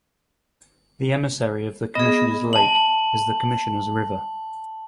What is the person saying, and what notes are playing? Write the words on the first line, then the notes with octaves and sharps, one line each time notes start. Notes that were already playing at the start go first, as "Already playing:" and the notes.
The emissary of the Commissioners lake is the "Commissioners river".
B3 G#4 D#5
A5 F#7